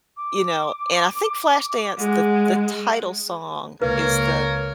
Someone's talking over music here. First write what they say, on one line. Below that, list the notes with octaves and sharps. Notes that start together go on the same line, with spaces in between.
you know, and I think "Flashdance," the the title song, is the
D6
G#3 F#5
C#2 A#3 A#4 B4 C#5